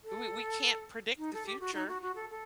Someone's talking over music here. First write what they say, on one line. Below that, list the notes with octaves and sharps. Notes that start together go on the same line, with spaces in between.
We we can't predict the future,
A4
D#4
A4
G4
F#4
D#4
F#4
F#4
A4
A4